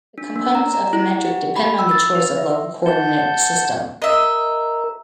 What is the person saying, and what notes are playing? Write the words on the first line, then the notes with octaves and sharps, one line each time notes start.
The components of the metric depend on the choice of local coordinate system.
D4
A#3
A#5
A#5
E4
F#5
G4
B5
E6
A6
B4
E5
F#5 A5 G6
A#4 D#5 E5